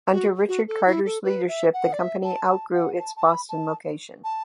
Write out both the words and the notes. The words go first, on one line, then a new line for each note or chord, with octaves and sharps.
Under Richard Carter's leadership the company outgrew its Boston location.
F#4
F#4
A4
E4
A4
B4
E5
F#5
D5
E5
A5
A5
F#5
A5
A5
B5
A5
A5